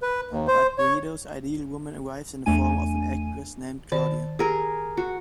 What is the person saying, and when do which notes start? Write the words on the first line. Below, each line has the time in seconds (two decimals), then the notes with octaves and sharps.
But Guido's Ideal Woman arrives in the form of an actress named Claudia.
0.02 B4
0.31 D#2
0.48 C5
0.78 C#5
2.46 E2 A3 D4 G#5 D#7
3.92 D#3 D5 A5
4.39 G4 G#4 A#4
4.97 F#4